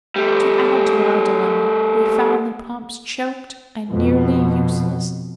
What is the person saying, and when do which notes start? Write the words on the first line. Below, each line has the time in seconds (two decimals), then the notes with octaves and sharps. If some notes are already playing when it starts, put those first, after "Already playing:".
To add to our dilemma, we found the pumps choked and nearly useless.
0.16 G3 A3
3.91 F2 B2